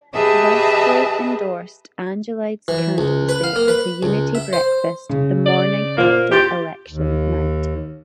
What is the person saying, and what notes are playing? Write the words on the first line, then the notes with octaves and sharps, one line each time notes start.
Westly endorsed Angelides' candidacy at a unity breakfast the morning after election night.
G4 G#4 B4 D#5 E5 A5
E3
C#2
B4
F5
A#3
B4
C#2
E5
C5
C#3
D5
A#2 A#3 C5
G4 C6 G6 A6
D#2